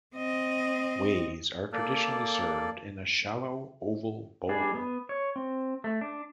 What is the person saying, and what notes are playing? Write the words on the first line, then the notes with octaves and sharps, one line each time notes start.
"Ways" are traditionally served in a shallow oval bowl.
C4 D#5
A#3 A4 D5
G3 D4 G#4
B3
C#5
C4
A3
D4